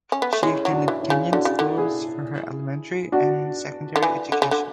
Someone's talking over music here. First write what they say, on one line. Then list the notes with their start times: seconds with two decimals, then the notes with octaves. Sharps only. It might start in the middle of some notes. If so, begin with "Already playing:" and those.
She attended Kenyan schools for her elementary and secondary education.
0.12 C#4
0.22 B3
0.33 A3
0.42 G#3 C#4 E4
0.65 F#3
0.72 D4 F#4
0.88 E3
1.02 C#4 E4
1.10 C#3
1.32 D3 D4 F#4
1.45 C#3
1.59 D3
1.77 E4 G#4
3.12 D4 F#4
3.96 D3
4.03 E3
4.32 D3
4.42 C#3
4.51 D3